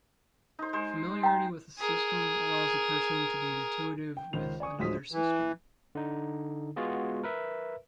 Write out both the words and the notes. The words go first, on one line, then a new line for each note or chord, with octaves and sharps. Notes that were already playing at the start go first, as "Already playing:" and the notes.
Familiarity with a system allows a person to be intuitive with another system.
D#4 C5
G#3 C5
G5 A#5
G#4 A#4
G5
C#2 D#3 C5 F7
D5 G#5 C#6 D#6
D1 F3 F#3 G#3 D#6 B6
E3
D3 D#4
G#3 B3 F4 F#4 G#4
A#4 B4 E5